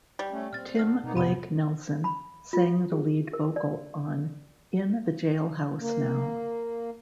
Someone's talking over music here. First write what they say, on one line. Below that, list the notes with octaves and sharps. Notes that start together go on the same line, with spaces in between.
Tim Blake Nelson sang the lead vocal on "In the Jailhouse Now".
G3
A3 C#4
A#2 C4 F6 A6
F#5 A5 F6 A#6 C7
B2 A#3 B3 D#4
F2 A2 C3 B3 G4 B5 D#7
B5
F4
G#4
A#4
D5
A#3